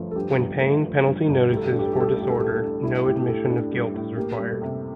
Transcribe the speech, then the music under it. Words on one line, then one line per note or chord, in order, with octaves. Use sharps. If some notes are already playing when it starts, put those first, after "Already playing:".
When paying penalty notices for disorder, no admission of guilt is required.
Already playing: G1 F3 A3
A4
G2 G4
G1
A3
F3
G2
G1
A2 G4
A4
G4
D4 A4
G4
A4
G3 G4
A4
G4
A2 A4
G4
A4
A2 G4
A4
G4
D4
G3 E4
A2 G4
A2 A4
D4
G3
A2
A#3 G4
G3
A4
C3